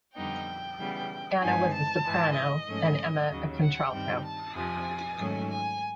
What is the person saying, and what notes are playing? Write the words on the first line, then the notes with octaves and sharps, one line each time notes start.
Anna was a soprano and Emma a contralto.
F2 D3 G3 B3 D#4 G5
C#3 E3 G3 B3
G2 E3 G#3 C4 D#4 G#5
A5
G#2 E3 G#3
D#5
G#2 F3 A3 C#4
D#2 C#3 F#3
F#5
G2 D#3 G3 C4 G5
A5
F2 C3 F3 G#5
G#2 D#3 F#3 A3 C#4
G#5